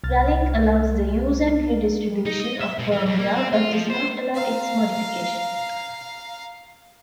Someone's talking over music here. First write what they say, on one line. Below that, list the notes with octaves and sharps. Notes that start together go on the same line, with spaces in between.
Ralink allows the use and redistribution of firmware, but does not allow its modification.
C2 F6 A6
D#4
D#5
E5
B2
E3
F2
A#3
C4
F4
F3
C5
F5 A#5